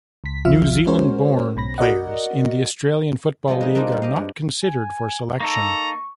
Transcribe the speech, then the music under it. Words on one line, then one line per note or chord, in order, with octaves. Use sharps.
New Zealand-born players in the Australian Football League are not considered for selection.
C#2 B6
A1 D#2 F3 F4 E5 F6
G#3 C#4 F#4 A#4 C5 C#5
B1 B2 B5 A#6
F#4 A#4 D5 D#5 F#5
F3 G3 G#3 B3 E4
G#3 D#4
G3 A#3 C4 D4 D#4 F4
G3 D4
G4 D#5 F5
G2
G#5
A#3 D#4 A4 A#5 C#6